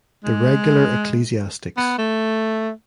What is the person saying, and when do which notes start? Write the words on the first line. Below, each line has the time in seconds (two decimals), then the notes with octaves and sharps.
The regular ecclesiastics.
0.24 G#3
1.77 B3
1.98 A3